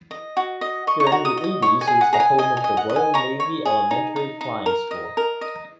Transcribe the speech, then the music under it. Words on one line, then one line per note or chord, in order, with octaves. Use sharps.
During the eighties it was the home of the Royal Navy Elementary Flying School.
D#5
F#4
D#5
D#5 C#6
C#6
A#5
F#4
D#6
D#5
D#6
C#5 C#6
G#5
G#4
F#5
G#4 A#5
G#5
D#5 G#5
G#5
D#5
F#5
D#5
G#5
C#5 A#5
C#5
G#4
D#4
D#4
D#4
A#4
D#5
A#4
D#5